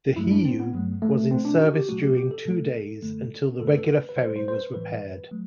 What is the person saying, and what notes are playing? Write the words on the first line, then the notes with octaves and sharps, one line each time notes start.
The "Hiyu" was in service during two days until the regular ferry was repaired.
G2 F#3 A3 E4
D4
C4
B3
G2 F#3 A3
A3
B2 A3 C4
D4
F#4
G4
B2 F#3 A3 F#4
G4
G4
A4
B2 F#3 A3
F#2 D3 A3
G2 D3 A3 A4
B4
A4
B4
B4
B2 G3 C5
C5
C5
B4
A2 E3 G3 B4
F#3 A3